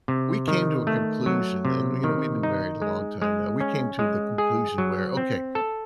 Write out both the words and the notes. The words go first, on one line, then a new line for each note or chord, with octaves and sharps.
we came to a conclusion, and, you know, we've been married a long time now. We came to the conclusion where, "Okay,
C3
D#3
A3
F#3
C3
D#3
D#4
G#3
G#3
C#4
G#3
G#4
F#3
C4
A4